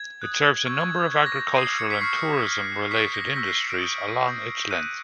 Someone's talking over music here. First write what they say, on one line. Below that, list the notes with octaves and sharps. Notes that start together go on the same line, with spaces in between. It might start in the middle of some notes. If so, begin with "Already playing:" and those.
It serves a number of agricultural and tourism-related industries along its length.
Already playing: G#6
D#6 F#6
C#6 E6 G6 G#6
G#6
G6
D6 F#6 G#6
A#6
A#6
D#6 G6 C7
C#7
B6
C#6 F6 C7
C#6 F6
C#6 F6 B6
A#6
C#6 E6 G6 A#6
C7
C#7
D7
D#6 G6
D#6 G6
D#6 F#6 D#7